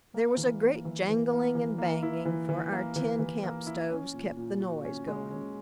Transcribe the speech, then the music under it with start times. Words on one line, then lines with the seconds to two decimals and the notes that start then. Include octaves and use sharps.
There was a great jangling and banging, for our tin camp-stoves kept the noise going.
0.14 A#3
0.37 E3
0.61 A#3
0.85 E3
1.09 E3
1.32 A#3
1.55 E3
1.78 A#3
2.03 E4
2.25 E3
2.49 E3
2.72 A#3
2.96 E3
3.19 E3
3.43 A#3
3.67 E4
3.91 C#4
4.14 A#2
4.37 A#2
4.60 F#4
4.85 C#4
5.08 G#3
5.31 C#4